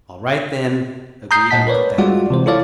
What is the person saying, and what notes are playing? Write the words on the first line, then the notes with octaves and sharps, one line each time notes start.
"All right, then," agreed Uncle Daniel.
A#5 D#6 G6 C7
A#2 D#5 F#5 A5 B6
A#4 B4 C#5 D5
G3 G#3 F4 F#4 D5 F#5
C3 E3 C5
E4 F4 A4 C#5 D5 F5